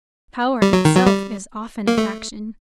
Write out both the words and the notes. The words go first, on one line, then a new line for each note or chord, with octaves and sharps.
Power itself is often a faction.
G3
F#3
D#3
F#3
G3
A#3
A3